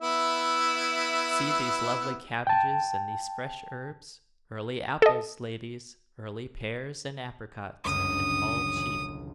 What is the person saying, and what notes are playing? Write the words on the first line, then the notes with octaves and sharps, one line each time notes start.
See these lovely cabbages and these fresh herbs! Early apples, ladies; early pears and apricots, and all cheap.
B3 E4 E5
G5 A5
A4 D#5
G1 C#2 F#2 D#6
E1 E7